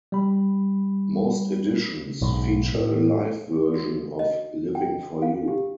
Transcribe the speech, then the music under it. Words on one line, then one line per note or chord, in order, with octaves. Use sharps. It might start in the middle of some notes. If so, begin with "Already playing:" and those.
Most editions feature a live version of "Livin' for You".
G3 B5
B1 G#2
A2
F#4
D#5
G5
F5
G4